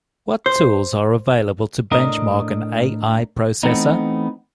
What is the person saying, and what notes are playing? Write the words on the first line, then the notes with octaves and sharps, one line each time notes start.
What tools are available to benchmark an A-I processor?
C5
A2 D4 A#4 D#5
E3 A3 B3 C4 D#4